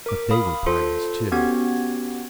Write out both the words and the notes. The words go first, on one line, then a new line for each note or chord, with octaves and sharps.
But they were Pyrrans, too.
A#4 D6
F5 B5 D#6
F4 A4 C5 C6
B3 C#4 F#4 G4 G#6